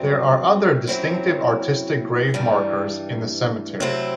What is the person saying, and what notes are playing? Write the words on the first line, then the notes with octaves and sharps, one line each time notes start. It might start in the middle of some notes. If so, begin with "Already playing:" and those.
There are other distinctive artistic grave markers in the cemetery.
Already playing: G2 F#3 A3 C4
F#2 F#3 C4 E4
G2 E3 G3
C3 F#3 A3 C4 E4